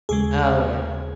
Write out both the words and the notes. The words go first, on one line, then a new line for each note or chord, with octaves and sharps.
Oh, yeah.
D#2 C#3 G#3 G#4